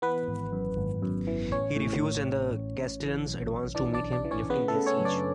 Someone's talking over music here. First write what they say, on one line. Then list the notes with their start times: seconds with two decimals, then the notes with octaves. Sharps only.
He refused, and the Castilians advanced to meet him, lifting the siege.
0.02 E3 B3 B4
0.28 G#1
0.53 F#2
0.77 G#1
1.02 F#2
1.27 E3
1.51 A1 C#4 C#5
1.76 A2
2.01 A1
2.26 A1
2.52 A1
2.76 A1
3.00 E3
3.26 B1
3.50 B1
3.75 E3 D4 D5
3.94 D4 D5
4.00 B1
4.12 D4 D5
4.24 E3
4.31 C#4 C#5
4.50 C#3 B3 B4
4.68 A3 A4
4.75 C#3
4.86 C#4 C#5
4.99 F#2
5.05 D4 D5